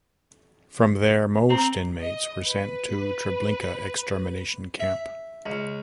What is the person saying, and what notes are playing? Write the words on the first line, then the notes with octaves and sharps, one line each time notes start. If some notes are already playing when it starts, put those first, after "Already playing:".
From there, most inmates were sent to Treblinka extermination camp.
C4 A#5
D#5
B4
E5
C#2